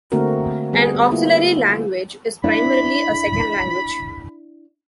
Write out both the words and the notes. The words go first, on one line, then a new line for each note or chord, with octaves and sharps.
An auxiliary language is primarily a second language.
D3 A3 A#3 C4 F#4 A#4
G3 B3 G#4
A#3 E4 F4
D4 E4 B5